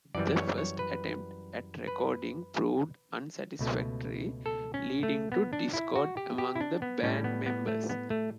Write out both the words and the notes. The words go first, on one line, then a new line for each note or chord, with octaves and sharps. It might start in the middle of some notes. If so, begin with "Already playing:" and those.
The first attempt at recording proved unsatisfactory, leading to discord among the band members.
F#2 E3 G3 D5
D5
C#5
C#5
B4
B4
C#2 B2 A3
A4
C#4
A3
B3
D4
E4
F#4
G4
G4
E4
D4
B3
A2 G3 C#4
B3
B3
A3
B3
A3